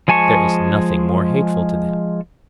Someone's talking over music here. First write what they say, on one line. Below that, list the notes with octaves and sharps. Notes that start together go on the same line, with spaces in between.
There is nothing more hateful to them.
F3 G#3 G#5 A5 C#6